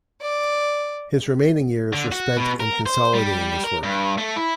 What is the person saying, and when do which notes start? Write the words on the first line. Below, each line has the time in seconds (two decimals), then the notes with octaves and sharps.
His remaining years were spent in consolidating this work.
0.22 D5
1.93 D3
2.12 F#4
2.37 B2
2.60 A#4
2.86 C5
3.14 G3
3.64 A#4
3.83 G2
4.18 A3
4.36 E4